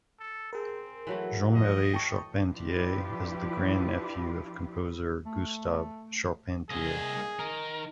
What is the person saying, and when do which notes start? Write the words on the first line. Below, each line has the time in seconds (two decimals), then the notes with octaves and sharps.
Jean-Marie Charpentier is the grand-nephew of composer Gustave Charpentier.
0.20 A4
0.53 C4 G#4 A#4
1.07 E3 F#3 A3
1.54 G2 F3 G3 D#5
1.93 G5 A5 C#6
2.50 F3 D4 E4 F4 G4 B4
5.26 A3
6.70 C2 A#3 G#4 C5 D#5
7.39 D#3 D#4 A#4